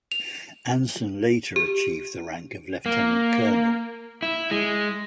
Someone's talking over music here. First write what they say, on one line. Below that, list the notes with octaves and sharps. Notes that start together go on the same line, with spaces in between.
Anson later achieved the rank of lieutenant colonel.
F7
G4
A#3
E4
G#3